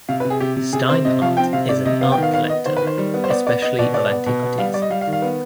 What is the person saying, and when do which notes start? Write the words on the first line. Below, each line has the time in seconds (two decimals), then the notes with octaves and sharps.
Steinhardt is an art collector, especially of antiquities.
0.09 C3 F5
0.20 B4
0.25 C3
0.30 G#4
0.40 C3 G4
0.57 C3
0.73 C3 G#4
0.89 C4 C5
1.05 C3 D#5
1.21 F3 F5
1.37 C4 G5
1.53 C3 F5
1.69 C3 D5
1.85 C3 D#5
2.01 B3 F5
2.12 G5
2.17 D#3
2.23 F5
2.34 B3 F5
2.50 B3 D#5
2.66 D#3 C5
2.77 B4
2.82 D#3 C5
2.98 G3
3.14 B3
3.24 C5
3.30 B3 D5
3.47 B3 D5
3.62 B3 D#5
3.79 B2 D5
3.94 B3 D5
4.10 B3
4.26 B2
4.43 B3
4.58 G3 F5
4.74 G3 D5
4.82 D#5
4.90 G3 F5
5.01 F5
5.07 D#3
5.13 F5
5.22 B3